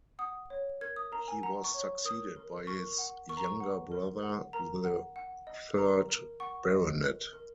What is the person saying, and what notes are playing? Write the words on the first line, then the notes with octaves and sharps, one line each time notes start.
He was succeeded by his younger brother, the third Baronet.
F#5 D#6
C#5
A#4 G#6
D#6
A#4 A#5
G#5
F#5 A#5
C#6
C#5
A#4 D#6
A#4
A#4 C#6
F#5
A#4 C#6
A#5
C#6
F#5
A#4
F#5
A#4 A#5
F#5
F#5
D#5
A#4 A#5
A#4
F#5 C#6
D#5
A#4
A#4